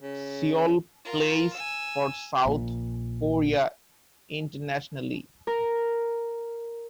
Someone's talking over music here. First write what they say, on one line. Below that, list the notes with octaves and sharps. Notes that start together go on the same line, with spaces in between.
Seol plays for South Korea internationally.
C#3
F4 A#4
G#5 E6
A#1 A#2
A#4